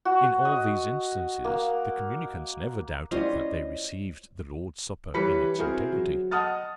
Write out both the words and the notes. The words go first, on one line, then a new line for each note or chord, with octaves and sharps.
In all these instances the communicants never doubted that they received the Lord's Supper in its integrity.
F#4
D#5
A#3
C#4 E4 F4 C5 D5 D#5
E3 G3 B4 C#5 B6 C#7
C4 E4 F#4 G#4 A#4 C5
F#3
D#5 F#5 A5 D#6 F6 A6